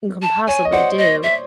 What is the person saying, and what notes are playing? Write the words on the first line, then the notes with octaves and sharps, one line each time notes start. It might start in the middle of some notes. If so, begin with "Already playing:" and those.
can possibly do,
A5
C#5 G#5
D#5
C5 D5 F#5
D#5
E5